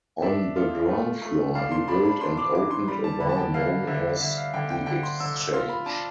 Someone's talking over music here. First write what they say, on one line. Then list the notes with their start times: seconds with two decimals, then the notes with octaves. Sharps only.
On the ground floor he built and opened a bar known as The Exchange.
0.22 D4 E5
0.56 F4
0.89 A3
1.22 A3
1.55 D4 F5
1.72 C6
1.88 D4 B5
2.05 B5
2.21 D4 C6
2.37 D6
2.54 E3 D6
2.71 C6
2.88 G3 B5
3.04 A5
3.20 D3 B5
3.29 A5
3.38 G5
3.54 D3 F5
3.87 D3 E5
4.20 D3 E5
4.37 F5
4.53 D3 G5
4.70 G5
4.86 D3 G5
5.03 C6
5.20 D3 E6
5.37 E6
5.53 F4 C6
5.69 B5
5.86 D4 A5